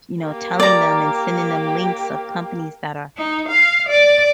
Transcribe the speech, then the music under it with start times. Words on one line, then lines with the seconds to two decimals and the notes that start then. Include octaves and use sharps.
you know, telling them, and sending them links of companies that are
0.24 A#3 G4
0.60 D5 A#5
3.17 D#4
3.49 F5
3.89 D5